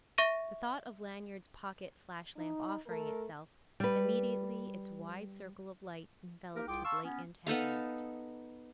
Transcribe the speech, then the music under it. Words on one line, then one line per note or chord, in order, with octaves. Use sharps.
The thought of Lanyard's pocket flash-lamp offering itself, immediately its wide circle of light enveloped his late antagonist.
E5 C#6 A#6 D#7
D#4
A3 A4 A#4
G3 B4
A#3 D#4 G4 A#4
C2 F4 G#4 G5 D6
F5 A5 C6 C#6 E6
B3 C#4
B3 D#4 A4 F5